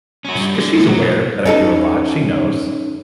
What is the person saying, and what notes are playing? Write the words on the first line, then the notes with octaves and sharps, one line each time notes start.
Sh 'Cause she's aware that I do a lot, she knows.
C#4 F#4
G2
D3
F#2 A3
F#3
B2
C#4 D#4 A4